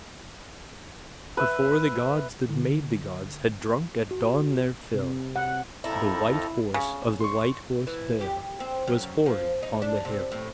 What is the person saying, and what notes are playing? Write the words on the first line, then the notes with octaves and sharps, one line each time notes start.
Before the gods that made the gods Had drunk at dawn their fill, The White Horse of the White Horse Vale Was hoary on the hill.
B4 E5
D3 E4
F#4
C3
F#5
F2 E4 A4 A#5
C#3
C6 C#6
E3
G4
C4
F#2
F3
D#4
D4
C3
A2